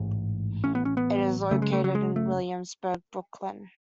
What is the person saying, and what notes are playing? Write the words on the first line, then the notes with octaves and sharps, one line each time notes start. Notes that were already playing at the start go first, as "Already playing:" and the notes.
It is located in Williamsburg, Brooklyn.
Already playing: A1 G#2
A1 A2 C#4
B3
C#4
B3
F#1 F#2 C#3 A3
G#3
A3
F#3
G#3
A3